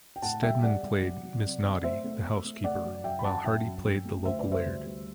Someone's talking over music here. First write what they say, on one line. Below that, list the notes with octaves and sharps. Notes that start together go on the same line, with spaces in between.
Steadman played Mrs Naughtie the housekeeper, while Hardy played the local laird.
G5
A2 F#5 A5
G3 E5 G5
G3 D5 F#5
G3
F#3
F#3
C3
C3
A3 C5 E5
A3
A3
A3
A3 D5 F#5
F#2
F#2 E5 G5
B5
F#2 F#5 A5
F#2 E5 G5
F#2
F#2
A3
D2 C5 E5
B4 D5
G3
C5 E5
D2
G3